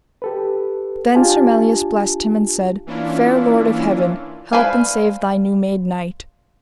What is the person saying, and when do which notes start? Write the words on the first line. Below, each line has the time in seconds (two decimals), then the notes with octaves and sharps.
Then Sir Melias blessed him and said: Fair lord of heaven, help and save thy new-made knight.
0.22 G4 A4 B4
1.15 D4 F4 G4 G#5 A5
2.87 E3 A#3 C#4 D4 E4 F4
4.53 B4 C5 D5 F5 G#5